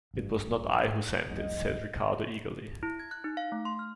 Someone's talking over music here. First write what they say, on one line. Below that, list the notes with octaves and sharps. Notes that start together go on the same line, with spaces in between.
"It was not I who sent it," said Ricardo eagerly.
A1 G2
F1 C2 G#2 D#5
E4
G#6
F#6
D#4
F5
A3
C6
F6